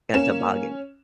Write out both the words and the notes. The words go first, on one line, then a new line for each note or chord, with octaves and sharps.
A toboggan.
A#3 C#4 E7